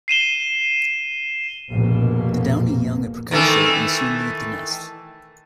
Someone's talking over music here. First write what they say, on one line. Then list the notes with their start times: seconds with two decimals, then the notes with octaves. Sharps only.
The downy young are precocial and soon leave the nest.
0.08 C7 D#7 E7 G7
1.71 F1 A#1 B2 A#3
3.31 D#3 E3 A3